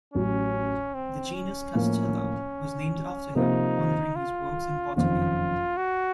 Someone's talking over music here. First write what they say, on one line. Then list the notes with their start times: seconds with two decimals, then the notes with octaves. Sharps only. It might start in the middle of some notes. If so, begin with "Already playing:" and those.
The genus "Castela" was named after him, honoring his works in botany.
0.14 A1 A2 F#3 C#4
0.95 C4
1.34 C#4
1.75 A2 F3 A#3
3.35 C3 F3 A#3 D#4 F4 C5
4.16 F4
4.96 F#1 F2 D#3 F4
5.77 F#4